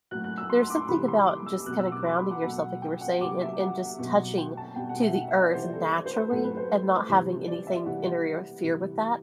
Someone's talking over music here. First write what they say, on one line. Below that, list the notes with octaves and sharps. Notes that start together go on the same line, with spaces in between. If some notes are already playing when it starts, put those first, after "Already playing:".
There's something about just kinda grounding yourself, like you were saying, and and just touching to the earth naturally and not having anything interfere with that.
A2 F#3 F#6
F#6
E6
C6
C6
D6
C6
C3 E3 G3 B5
C6
D6
E6
B2 F#3 F#6
E6
D6
C6
B5
F#5
B2 F#3 F#5
G5
F#5
C3 F#3 D6
E5
F#5
B2 F#3
G5
A5
B2 G3 G5
F#5
E5
F#5
E5
D5
C3 E3 G3 C5
A4
C5
B4
A2 F#3 A4
B4
C5
C3 E3 G3
D5
E5
C3 E3 G3 F#5
C3 E3 G3